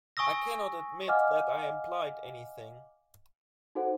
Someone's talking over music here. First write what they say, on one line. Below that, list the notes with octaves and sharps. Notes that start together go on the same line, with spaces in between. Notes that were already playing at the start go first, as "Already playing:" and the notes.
I cannot admit that I implied anything.
G#5 C#6 D#6 E6 A#6
D#5 F5 F#5 G#5 D6 F6
D#4 F#4 A4 C5 F#5